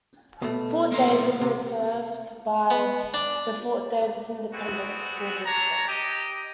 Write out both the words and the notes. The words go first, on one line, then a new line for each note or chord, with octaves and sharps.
Fort Davis is served by the Fort Davis Independent School District.
B2 A3
A#3 C4 A#5
C3
B3
D4
G#3 B3 C4 F#4
D4 C#5 A#5
G4 D#5